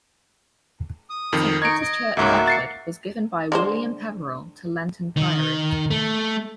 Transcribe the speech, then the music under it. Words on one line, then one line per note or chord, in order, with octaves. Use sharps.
Saint Peter's Church, Radford was given by William Peveril to Lenton Priory.
D#6
F2 D#3
D#4 D#5 C#6 G#6 D7
D#5
C#2 G#2 C#3 A#3 F#4 E5
A6 C7 C#7
D3 G#3 C5
D#3
A3